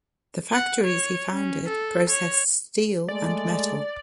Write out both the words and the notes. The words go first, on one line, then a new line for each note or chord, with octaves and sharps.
The factories he founded processed steel and metal.
F#5
C#5
C#4
A4
C#5
G#3 A3 D5